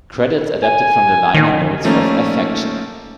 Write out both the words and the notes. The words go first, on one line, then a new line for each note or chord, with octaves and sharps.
Credits adapted from the liner notes of "Affection".
G#5
D#3
F3 A3 A#3 C#4 D#4